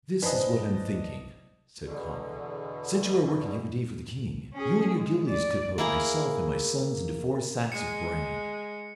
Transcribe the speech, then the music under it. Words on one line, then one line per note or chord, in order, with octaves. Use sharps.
"This is what I am thinking," said Conall, "since you are working every day for the king, you and your gillies could put myself and my sons into four sacks of bran."
G1 F#2 E3 D4 C5 D#5
E2 B2 D3
C#4 G#4
G#3
D5
A#3 E4 G#4
G#3 C#7